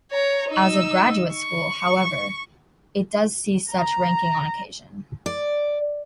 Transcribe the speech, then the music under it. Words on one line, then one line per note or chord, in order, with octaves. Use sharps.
As a graduate school, however, it does see such ranking on occasion.
C#5 A#5
D#4 E6
C#6
A#5
D5